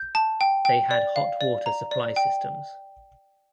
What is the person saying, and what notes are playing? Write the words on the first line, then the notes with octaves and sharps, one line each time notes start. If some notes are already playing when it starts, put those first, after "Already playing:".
They had hot water supply systems.
Already playing: G6
A5
G5
G5
D5
F5
D5
A#5
D5
G5